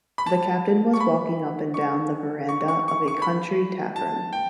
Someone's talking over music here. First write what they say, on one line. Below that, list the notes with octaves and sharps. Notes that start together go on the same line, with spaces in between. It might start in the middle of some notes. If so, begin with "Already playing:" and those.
The Captain was walking up and down the veranda of a country tavern.
B5
A5
C#6
B5
C#6
C#6
C#6
C#6
C#6
B5
A5
G5